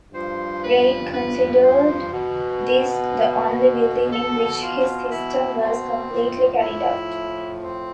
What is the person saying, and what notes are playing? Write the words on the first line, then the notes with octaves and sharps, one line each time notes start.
Reid considered this the only building in which his system was completely carried out.
G2 F3 C5
B4
B4
C5
B2
B2 A4
F4
E4
C4
A2 F3
E4
C4